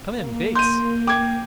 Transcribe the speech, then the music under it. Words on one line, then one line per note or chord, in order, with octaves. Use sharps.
Come in, Bates.
A#3
C6 G6 D#7
G5 D6 G#6